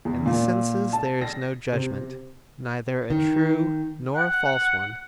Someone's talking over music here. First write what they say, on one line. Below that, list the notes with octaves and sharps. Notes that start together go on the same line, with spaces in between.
In the senses there is no judgement--neither a true nor a false one.
E2
A#2
A5
A#6
C3
D#3
F#5